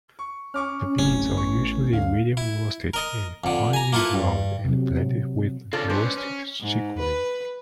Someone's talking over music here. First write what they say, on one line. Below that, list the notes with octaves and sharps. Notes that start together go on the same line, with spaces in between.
The beans are usually medium-roasted and finely ground and blended with roasted chicory.
C#6
C#4 C#6 D6 F6
F1 F#2 A2 C3 C#4
A1
A2 B3 C#6
D2 D3 F5
E4
A#4 D#5
F2 D3
G#5 A#5
A#3 E4 F4 A4 B4
G2
C3 F#3
D3 C4 C#4 F4 A4
G#2 C#4 D4 B4 C5
C#4
G#2
B4